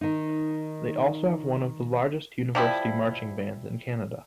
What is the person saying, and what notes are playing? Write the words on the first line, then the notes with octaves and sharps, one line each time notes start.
They also have one of the largest university marching bands in Canada.
D#3 D#4
F3 G3 E4